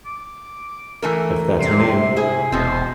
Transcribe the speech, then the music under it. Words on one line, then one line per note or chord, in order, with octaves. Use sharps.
If that's her name.
D6
E3 A3 A#4
C3 C6
E4 G#4
E1 B2 C4 C5